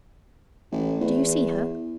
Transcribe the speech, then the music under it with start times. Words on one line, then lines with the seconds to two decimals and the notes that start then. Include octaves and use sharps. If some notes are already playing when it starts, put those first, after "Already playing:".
Do you see her?'
0.72 A1
1.01 E2